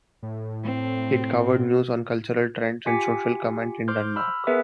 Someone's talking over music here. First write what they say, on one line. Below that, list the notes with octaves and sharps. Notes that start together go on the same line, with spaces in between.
It covered news on cultural trends and social comment in Denmark.
A2
C4
F4 G4 G#5 D6 B6 C#7
C5 C6 D6 F6 G6
B5 E6 F6
B3 G#4 A#4 B4 E5 B6